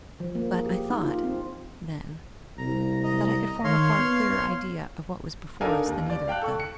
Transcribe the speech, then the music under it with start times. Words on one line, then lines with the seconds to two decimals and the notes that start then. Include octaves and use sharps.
But I thought--then--that I could form a far clearer idea of what was before us than either of them.
0.20 F3
0.35 A#3
0.54 G#4
0.66 G4
0.90 D#4
1.04 F4
1.24 C4
2.58 C2 A#5
3.04 D#5 A#5
3.64 D#3 C#5 F5 C6
3.98 B3
5.61 D4 D#4 A4 A#4 F5 G#5
5.86 D#2
6.10 D5
6.28 F5 G5 A5 F#6
6.42 A4 C#6
6.60 C#7